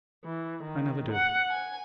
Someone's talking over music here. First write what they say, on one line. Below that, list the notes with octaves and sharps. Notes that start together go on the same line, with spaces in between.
"I never did."
E3
D#3
F#5
G#5